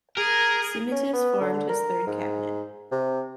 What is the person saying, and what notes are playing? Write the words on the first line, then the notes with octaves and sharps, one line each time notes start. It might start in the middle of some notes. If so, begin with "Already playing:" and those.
Simitis formed his third cabinet.
G#4 A#4
C#4
B3
D3
A#4
G#2
C3